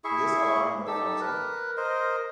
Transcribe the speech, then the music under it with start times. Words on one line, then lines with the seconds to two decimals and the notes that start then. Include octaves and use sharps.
This alarmed Afonso.
0.04 E4 G#4 E5 C#6
0.87 D#4 G4 A4 E6
1.20 A#4 B4
1.77 A#4 C5 D#5